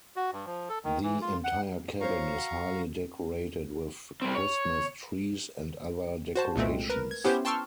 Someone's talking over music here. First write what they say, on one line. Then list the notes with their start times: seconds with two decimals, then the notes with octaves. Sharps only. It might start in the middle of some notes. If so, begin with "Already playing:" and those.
The entire cabin is highly decorated with Christmas trees and other decorations.
0.16 F#4
0.32 G2
0.46 F3
0.69 A4
0.84 D#3
1.03 E3
1.22 F4
1.44 F#5
2.01 F4 C5 C#5 F5 A#5 C#6
2.36 F#4
4.22 G3 C4
4.35 C#5
6.36 F#4 C5 A5
6.56 C2 A#2 G#3 A3 C4
6.90 A#4 B4
7.11 G#6
7.24 B3 C#4 E4 G4 B4 C5
7.45 G5 A5 C6 C#6 E6 F6